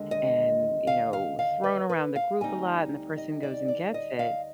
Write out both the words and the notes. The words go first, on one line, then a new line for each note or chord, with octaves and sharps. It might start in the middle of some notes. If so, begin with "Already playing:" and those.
and, you know, thrown around the group a lot and the person goes and gets it,
Already playing: D#2 D3 G#3
D#5
F5
F5
F5
B4
B4
F5
D2 D3 G3 C4 D#4 G#5
D#5
D5
D5
D#5
F5